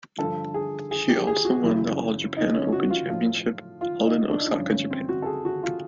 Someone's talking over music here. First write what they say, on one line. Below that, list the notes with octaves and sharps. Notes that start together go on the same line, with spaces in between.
She also won the "All Japan Open Championship" held in Osaka, Japan.
G2 D3 F3 A4
G#4
G#4
G4
G#4
F#4
F#2 C#3 E3 E4
D#4
C#4
F#4
F4
A2 F3 F4
F4
D#4
D4
D#4
D4
G2 D3 F3 C#4
C#4
C4
F#4
A4
G#4
F#4
F4